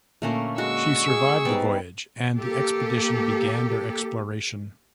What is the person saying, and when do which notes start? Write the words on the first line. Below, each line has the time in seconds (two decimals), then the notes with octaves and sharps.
She survived the voyage and the expedition began their exploration.
0.22 A#2 D3 A3 A#3 C#4 A5
0.58 G#3 F#4 C#6 E6
1.08 G#4
1.45 G3 B3 C4 D#4 D5
2.37 A#3 G4 A4